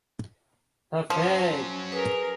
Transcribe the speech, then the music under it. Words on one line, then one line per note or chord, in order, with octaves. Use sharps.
The Fig.
F3 F#3 C#4
G#4 A#4 B4